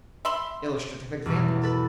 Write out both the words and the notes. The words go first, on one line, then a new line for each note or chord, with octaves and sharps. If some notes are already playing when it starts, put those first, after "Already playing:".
Illustrative examples.
E5 B5 C6
E2 G2 B2
A4 B4